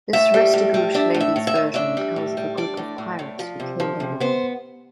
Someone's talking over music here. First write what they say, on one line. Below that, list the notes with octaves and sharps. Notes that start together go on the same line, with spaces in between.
This Restigouche lady's version tells of a group of pirates who killed a woman.
A2 E5
G3
A2
G3
D4 E5
A2
E5
A2
E5
A2
D4 E5
G3
A2
G3
D4 D5
A2
A2
A2
F3
C3
F3
C3
B3 C5